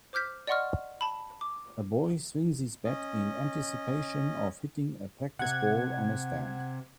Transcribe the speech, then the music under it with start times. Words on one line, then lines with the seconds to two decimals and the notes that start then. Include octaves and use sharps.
A boy swings his bat in anticipation of hitting a practice ball on a stand.
0.13 C5 D6 F6 G6 B6
0.47 D5 D#5 F#5 C6 C#6 F6
1.01 A5 B5
1.41 D6
2.85 C#4 D#5
5.39 C3 F#5 G#6